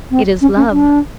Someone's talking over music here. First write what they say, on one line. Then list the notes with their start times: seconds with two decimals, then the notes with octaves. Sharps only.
It is love.
0.11 C4
0.41 C#4
0.56 C#4
0.71 D4